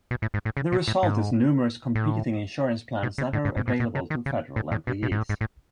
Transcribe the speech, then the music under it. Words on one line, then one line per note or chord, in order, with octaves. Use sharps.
The result is numerous competing insurance plans that are available to federal employees.
B2
A2
G#2
A2
C#3
B2
A2
G#2
A2
B2
C#3
A2
G#2
G#2
A2
B2
C#3
D#3
C#3
A2
A2
B2
B2
G#2
A2
G#2
A2